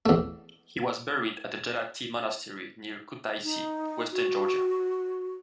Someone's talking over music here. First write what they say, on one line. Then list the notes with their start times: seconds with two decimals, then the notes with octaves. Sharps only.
He was buried at the Gelati Monastery near Kutaisi, western Georgia.
0.06 E2 A3
3.42 D#4
4.12 F#4